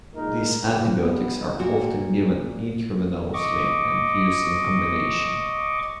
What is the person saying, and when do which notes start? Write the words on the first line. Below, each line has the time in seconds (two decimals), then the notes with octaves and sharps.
These antibiotics are often given intravenously and used in combination.
0.15 A#2 G#3 D#4 A#4
0.64 C#3 E3 F3
0.96 B1 G3 B3
1.59 A#2 F#4
3.34 D#5 C#6 D6